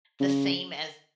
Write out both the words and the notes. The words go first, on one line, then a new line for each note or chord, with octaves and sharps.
the same as
C#3